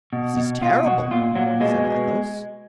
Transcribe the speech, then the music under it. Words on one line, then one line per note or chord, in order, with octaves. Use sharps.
"This is terrible," said Athos.
B2
B2
B2 F4
B2 F#4
A#2 F4
A#2 F#3
B2 G#3
B2